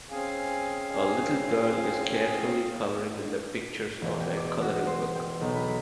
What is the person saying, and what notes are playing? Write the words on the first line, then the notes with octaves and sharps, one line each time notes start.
A little girl is carefully coloring in the pictures of a coloring book.
C4 C#4 G#4 F5 G#5
E1
G5
D6
F#4
C5
G5
B1
B4